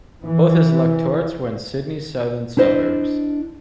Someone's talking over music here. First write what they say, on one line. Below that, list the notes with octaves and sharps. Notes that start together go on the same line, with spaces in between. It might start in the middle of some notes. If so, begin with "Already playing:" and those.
Both his electorates were in Sydney's southern suburbs.
E3
D4 E4 C5 D#5